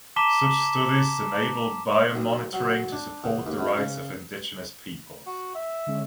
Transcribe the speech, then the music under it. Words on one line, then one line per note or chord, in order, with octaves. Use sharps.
Such studies enable biomonitoring to support the rights of indigenous peoples.
A5 A#5 D6 B6 E7 G7
B1
F#3
D4
E2
D#2
F#2
C#3
F#4
E5
D3 G#3 C#4